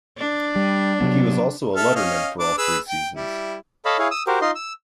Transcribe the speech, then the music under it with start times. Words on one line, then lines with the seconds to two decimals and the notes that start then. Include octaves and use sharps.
He was also a letterman for all three seasons.
0.18 D4
0.56 G3
1.01 C3 F#3 B3
1.76 A4 E5 F6
1.95 C#4 D#5 F5
2.39 D4 D6
2.58 G#4 B4 E6
2.89 G5
3.16 G3 E4
3.85 A4 C#5 D#5 F5 A5 B5
3.99 E4 G#4 C#5 F5
4.11 D#6 E6
4.27 F#4 G4 A#4 C5
4.41 D#4 F4 D#5 C6
4.55 E6